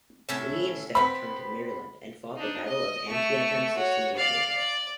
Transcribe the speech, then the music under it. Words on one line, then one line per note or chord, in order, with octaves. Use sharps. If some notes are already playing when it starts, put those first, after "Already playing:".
Lee instead turned to Maryland, and fought the Battle of Antietam sixteen days later.
A2 C#4 A4
B3 C4 B5
D4 D#4
D#5
A3 C#6
F#4 C#5
D5 F5
D5